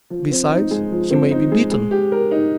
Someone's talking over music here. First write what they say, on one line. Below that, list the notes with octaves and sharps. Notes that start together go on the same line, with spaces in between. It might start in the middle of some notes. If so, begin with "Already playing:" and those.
Besides, he may be bitten.
F3
C4
D#4
G#3
F3
C4
D#4
G#3
G#3
G4
A#4
D#4